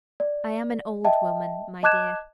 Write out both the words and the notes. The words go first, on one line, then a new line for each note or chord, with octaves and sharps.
I am an old woman, my dear.
D5
D#5 E5 G5 A5
D#5 A5 D6 F#6 G#6 E7